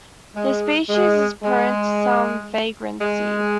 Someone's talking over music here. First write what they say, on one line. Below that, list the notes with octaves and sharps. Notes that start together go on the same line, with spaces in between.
The species is prone to some vagrancy.
G#3
G#3
G#3
G#3